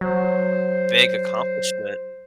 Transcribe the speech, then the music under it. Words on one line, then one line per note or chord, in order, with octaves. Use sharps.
big accomplishment.
F#3 C5